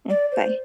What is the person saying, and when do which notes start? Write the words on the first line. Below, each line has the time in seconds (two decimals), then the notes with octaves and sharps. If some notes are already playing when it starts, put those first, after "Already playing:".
Mm, bye.
0.10 D5
0.32 C5